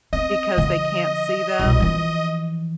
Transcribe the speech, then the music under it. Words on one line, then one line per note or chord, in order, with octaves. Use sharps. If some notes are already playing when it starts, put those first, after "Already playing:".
because they can't see them,
C4 D#5
D3 F3
C2 B2
E3 F3